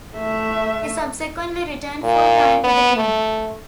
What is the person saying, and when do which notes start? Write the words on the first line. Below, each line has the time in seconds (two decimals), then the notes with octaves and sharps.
He subsequently returned full-time to the team.
0.16 A3 E5
2.03 A#2
2.64 B3
2.97 A3